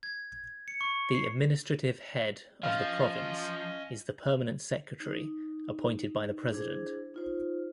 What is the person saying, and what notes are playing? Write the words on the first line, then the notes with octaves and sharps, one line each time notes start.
The administrative head of the province is the Permanent Secretary, appointed by the President.
G#6
G#6
C#7
C#6
C7
F3 C#4 D#5 F5 F6
D#4
D4 E4 G#4 C5
D#4 F4 C5